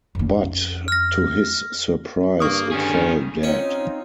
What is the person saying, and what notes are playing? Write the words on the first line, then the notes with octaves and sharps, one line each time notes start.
But, to his surprise, it fell dead.
F2 C#4
F6 A#6
G2 A#3 A#4 C#6 D#6
D3 D#3 C#4 G#4
C4 C#4 D#4 F4